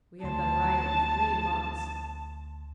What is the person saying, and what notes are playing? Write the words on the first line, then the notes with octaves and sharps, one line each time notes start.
We have been riding three months.
D2 A5 C6